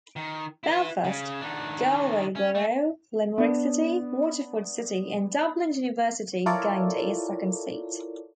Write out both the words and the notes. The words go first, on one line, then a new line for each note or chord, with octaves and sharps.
Belfast, Galway Borough, Limerick City, Waterford City and Dublin University gained a second seat.
D#3
E4 B4
C#3
D#3 D4
C#4
A3
B3 D4
E4 F4 A4 A#4 C#5 D5